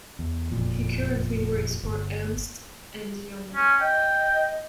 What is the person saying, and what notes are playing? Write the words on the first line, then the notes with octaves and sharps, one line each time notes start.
He currently works for Ernst and Young.
E2
F#1 F2 A#2
G1
C#4
D#5 G5